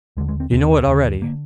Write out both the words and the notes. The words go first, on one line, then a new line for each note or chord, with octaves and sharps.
You know it already.
D#2 D3 G#3
G#3
C4
D#2 D3 C4
D#2 D3
D3 A#3